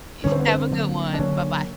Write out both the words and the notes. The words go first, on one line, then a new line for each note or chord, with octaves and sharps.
Y have a good one, buh-bye.
G2 D3 G3 C#4
C4
B3
C4
D3 F#3 A#3
D4
D3 F#3 A#3 C#4